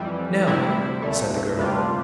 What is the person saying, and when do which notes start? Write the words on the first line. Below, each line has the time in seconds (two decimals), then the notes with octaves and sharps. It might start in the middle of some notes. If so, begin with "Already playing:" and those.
"No," said the girl.
Already playing: F2 E3 G3
0.47 D2 C3 G3 C4 E4
1.02 C2 A#2 A3
1.58 D2 C3 G3 D4 F4